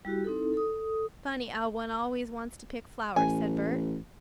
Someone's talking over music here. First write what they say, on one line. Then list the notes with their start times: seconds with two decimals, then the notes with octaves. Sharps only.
"Funny 'ow one always wants to pick flowers," said Bert.
0.05 G3 E4 F#4 G4
0.24 C4 D#4 E4 A4
0.54 A4 D#6
3.16 A1 G#5